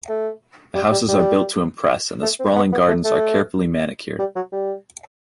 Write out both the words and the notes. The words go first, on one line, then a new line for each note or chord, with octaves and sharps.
The houses are built to impress and the sprawling gardens are carefully manicured.
A3
G3
G3
G3
A3
C4
B3
B3
A3
A3
G3
F#3
G3